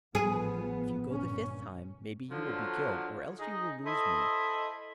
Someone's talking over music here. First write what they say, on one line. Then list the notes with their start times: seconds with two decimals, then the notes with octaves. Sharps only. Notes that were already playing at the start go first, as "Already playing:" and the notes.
If you go the fifth time, maybe you will be killed, or else you will lose me.
0.15 A1 F3 B3 G#4
1.11 G1 A#2 C#4
2.30 D3 F3 F#3
3.40 D#4 G#4 D#5
3.85 E4 A4 C5 D#5